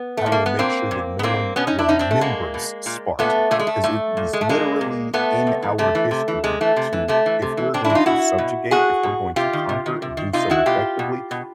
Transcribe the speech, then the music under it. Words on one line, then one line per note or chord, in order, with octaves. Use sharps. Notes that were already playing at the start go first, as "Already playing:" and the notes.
I will make sure that no one remembers Sparta." 'Cause it is literally in our history to if we're going to subjugate, if we're going to conquer and do so effectively,
Already playing: B3
A3
A#2
A#3
B3
A#2 A#3 C4
A#2
B3
A#2 A#3 C4
B2 B3 C#4
C#4 D#4
D4 E4
B2 C#4 D#4
C4 D4
A3
B2 G#3 A#3
B2
A#2
A#2 A3 B3
A#2 A3
G#3
A3
A#2 A3
A#2
G#3
A3
A#2 G#3 A#3
A#2
A#2 A3 B3
C3
E3
C3 A3
E3
C3
E3
C3 G#3
E3 A3
C3
E3
C3 A3
E3
C3
E3
C3 C4 D4
D4 E4
E3
D#4 F4
B2 E4 F#4
B2
B2 F#4 G#4
B2
C3 F4 G4
D#3
C3
D#3
C3
D#3
C3 D#4 F4
D#3 E4 F#4
B2 F4 G4
B2
B2